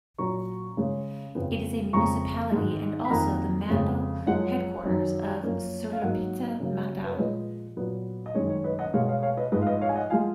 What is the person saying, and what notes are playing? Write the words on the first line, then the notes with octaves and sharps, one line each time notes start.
It is a municipality and also the mandal headquarters of Sullurpeta mandal.
A#2 F#3 C#4 A#5 C#6
C#3 G#3 C#4
F2 C#3 F3 B3
F2 C#3 G#3 A#5 C#6
G#2 D#3 G#3
B5
F2 D#3 A#3 F#5 A#5
F2 C#3 G#3
F#2 F3 G#3 D#5 F#5
F#2 D#3 F#3
F#2 F3 A#3 C#4
F5
G#2 F#3 A#3 D#5 F#5
C#3 F#3 A#3 C#4
B4
C#5
A#2 F3 G#3 B4 D#5
A#2 F#3 B3
D#5
F#2 D#3 G#3 C#4 C#5
C#5
B4 D#5
D#5 F#5
B2 G#3 B3 C#5 F5
C#5 F5
C#5 F5
B4 D#5
G#2 F3 G#3 B4 D#5
F5
B4 D#5
C#5 F5
G#5
D#5 F#5
F3 G#3 F5 G#5